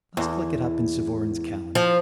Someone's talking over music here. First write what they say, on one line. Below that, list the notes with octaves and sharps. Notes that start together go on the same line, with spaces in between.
I must look it up in Suvorin's calendar.
E2
F3